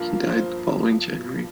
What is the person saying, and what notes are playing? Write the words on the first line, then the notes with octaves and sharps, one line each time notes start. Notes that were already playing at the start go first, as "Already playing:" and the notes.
He died the following January.
Already playing: G2 F3 A#3 F4
C5